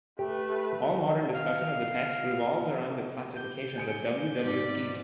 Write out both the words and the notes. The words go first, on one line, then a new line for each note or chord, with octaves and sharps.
All modern discussion of the text revolves around the classifications of W. W. Skeat.
A3 G4 B4
F5 F6
G4 G6
G#5 C#7 D7
G#2 D5 B6